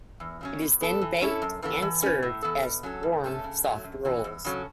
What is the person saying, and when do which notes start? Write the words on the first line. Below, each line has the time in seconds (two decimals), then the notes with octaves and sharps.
It is then baked and served as warm soft rolls.
0.20 E2
0.41 C#3 F#3 C#4
0.61 B2
0.81 B3 A4
1.02 E3
1.21 C#4 E4 A4
1.42 F#2
1.62 C#3 E3 B3 A4
1.82 E3
2.03 C#4 F#4 B4
2.23 A2
2.42 E3 B3 A4
2.63 B2
2.83 F#3 C#4 A4
3.03 B2
3.24 A3 C#4 A4
3.44 C#3
3.64 F#3 A3
3.84 F#2
4.05 E3 C#4 F#4
4.24 E2
4.45 C#3 F#3 C#4 A4